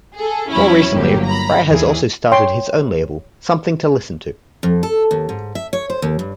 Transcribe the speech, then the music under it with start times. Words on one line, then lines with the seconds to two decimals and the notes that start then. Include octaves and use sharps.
More recently, Fryer has also started his own label, Something To Listen To.
0.16 G#4 A4
0.50 E2 F#3 C#4 E4 B5
0.91 G1 F#3 A#3 G4
1.26 A#5 B5
1.66 D#2 E3 G#4
2.32 C#5 G5 C6
4.63 F2
4.83 A4
5.11 D#2
5.29 G#2
5.55 E5
5.73 C#5
5.90 C5
6.02 D#2
6.19 G2